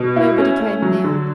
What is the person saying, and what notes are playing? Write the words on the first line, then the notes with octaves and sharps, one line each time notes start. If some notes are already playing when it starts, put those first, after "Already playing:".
Nobody came near.
Already playing: B2
E4
C#4
A3
F#3
D3